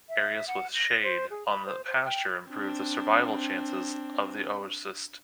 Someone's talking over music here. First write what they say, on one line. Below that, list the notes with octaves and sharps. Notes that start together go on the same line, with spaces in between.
Areas with shade on the pasture improve the survival chances of the oocyst.
E5
F#5
A#6
C5
G#4
B5
C5
C5
G5
C4 D4